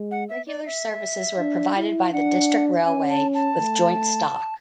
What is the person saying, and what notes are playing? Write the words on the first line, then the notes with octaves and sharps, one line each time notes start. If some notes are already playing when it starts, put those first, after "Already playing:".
Regular services were provided by the District Railway with joint stock.
Already playing: G#3
F#5
E5
D5
E5
D4
E4
D4 F#5
C#4 G#5
A5
A5
A3